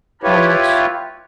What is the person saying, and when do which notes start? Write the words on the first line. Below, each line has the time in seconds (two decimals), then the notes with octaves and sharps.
How much
0.23 E4 F4 G4 B4 C#5